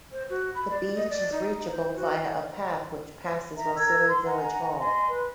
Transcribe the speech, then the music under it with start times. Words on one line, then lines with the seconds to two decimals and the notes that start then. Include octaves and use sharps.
The beach is reachable via a path which passes Rhossili village hall.
0.12 C5
0.30 F#4
0.55 B5
0.70 D5
0.96 D#5
1.10 D5
1.32 D#4
1.58 D#4
1.71 C5
1.96 F#4
3.56 E5 A#5
3.77 A#4 A#5 E6 G#6
4.07 C6
4.25 F#5 G#5 A#5
4.79 D#5 G#5 C6
5.09 B4